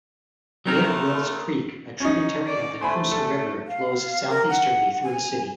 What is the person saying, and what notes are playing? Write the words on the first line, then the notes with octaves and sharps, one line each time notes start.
Big Wills Creek, a tributary of the Coosa River, flows southeasterly through the city.
D#3 F#3 C4 A#4
D#2 F3 A3 A#4
C#4 D#4
D5
A3 C5 G#5 B5
A4
F5
A#4
F#5
G#5